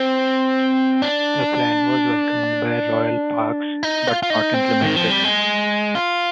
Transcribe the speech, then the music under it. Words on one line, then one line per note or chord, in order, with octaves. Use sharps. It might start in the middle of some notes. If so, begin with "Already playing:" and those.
The plan was welcomed by Royal Parks but not implemented.
Already playing: C4
D4
D#4
F4
F4
D#4
C4
D#3
F3
G3
G#3
F4